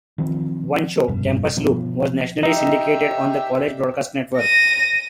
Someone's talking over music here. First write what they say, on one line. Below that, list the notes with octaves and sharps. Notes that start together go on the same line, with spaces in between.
One show, "Campus Loop", was nationally syndicated on the College Broadcast network.
D#3 F3 C4
F1 G2 B2
B2 F3 B3
D#4 G4 E5
A#6 D#7